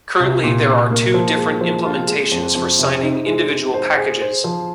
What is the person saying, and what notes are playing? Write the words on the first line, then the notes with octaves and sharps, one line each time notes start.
Currently there are two different implementations for signing individual packages.
C2
A#2
A#2
A#3
F3
G#3
F3
F4
G#3
F2
F2
C3
D#4
G#3
G#3
C5
G#4
C5
F3